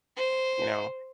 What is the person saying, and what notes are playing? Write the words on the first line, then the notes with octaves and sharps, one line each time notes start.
you know?
C5